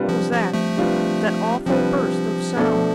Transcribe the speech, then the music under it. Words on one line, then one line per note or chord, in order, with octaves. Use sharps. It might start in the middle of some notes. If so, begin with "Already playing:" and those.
What was that--that awful burst of sound?
Already playing: C3 G3 D4 F4 B4
F3
F3
F3 A3
C3 G3 D4 F4 B4
C3 F3 G3 D4 F4 B4
B2 A3 D4 A4 D5